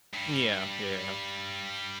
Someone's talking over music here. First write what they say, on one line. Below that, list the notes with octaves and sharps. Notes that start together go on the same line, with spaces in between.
Mm, yeah, yeah.
G2 G3